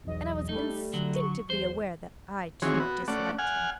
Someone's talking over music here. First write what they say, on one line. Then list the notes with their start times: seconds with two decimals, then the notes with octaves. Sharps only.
And I was instinctively aware that I too disliked him.
0.03 B1 E2 D#5
0.49 G3 A3 D#4
0.93 D3 F#3
1.14 C#6
1.50 E2 C5
2.62 D#3 E3 C4 F#4 G#4 C#5
2.80 B3 F#4
3.08 A3 C#4 D5 F#5
3.39 F#5 G#5 F6